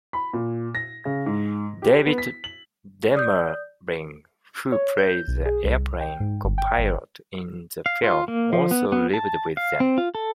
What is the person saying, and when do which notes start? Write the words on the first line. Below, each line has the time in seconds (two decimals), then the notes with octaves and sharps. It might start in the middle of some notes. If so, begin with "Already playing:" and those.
David Demering, who played the airplane co-pilot in the film, also lived with them.
0.13 B5
0.33 A#2
0.75 A#6
1.05 C#3
1.26 G#2
1.82 G4
2.06 B3
2.18 B6
2.44 F#7
3.15 D5 D#6 G6
4.72 C#5
4.97 G6
5.28 B1
5.45 G#4
5.64 C2
6.01 G5
6.20 G#2
6.44 G1
6.58 G5
6.78 G1
7.86 F5
8.04 F4
8.28 A#3
8.53 F3
8.71 B3
8.92 B3
9.14 A5
9.57 F5
9.80 C4
9.98 F4
10.15 A4